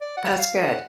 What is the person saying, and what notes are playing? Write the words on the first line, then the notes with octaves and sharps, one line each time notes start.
That's good.
D5
F#5
F5
F#5